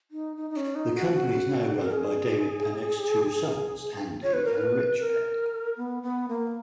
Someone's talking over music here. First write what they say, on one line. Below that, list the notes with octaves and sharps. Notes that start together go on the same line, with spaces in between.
The company is now run by David Pennock’s two sons Andy and Rich Pennock.
D#4
D#4
D#4
C#4
D#4
F#4
F#4
A#4
G#4
C#5
B4
A#4
B4
A#4
B3
B3
A#3